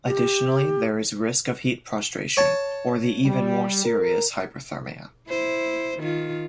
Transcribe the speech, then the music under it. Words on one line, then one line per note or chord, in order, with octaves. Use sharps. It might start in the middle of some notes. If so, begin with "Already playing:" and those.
Additionally, there is risk of heat prostration or the even more serious hyperthermia.
G4
C#5 A5
G3
A#4
E4 C5
D#3 F4